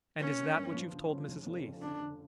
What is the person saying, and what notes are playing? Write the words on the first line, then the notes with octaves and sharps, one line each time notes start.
"And is THAT what you've told Mrs. Leath?"
A#3 C#4
E3
G2
F3
C#3
C#4
F1
F2
C#3
D3 D4
D3